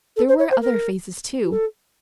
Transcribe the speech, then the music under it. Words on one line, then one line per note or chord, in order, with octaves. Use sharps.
There were other phases, too.
A4
C5
C#5
C5
A#4
F#4
A4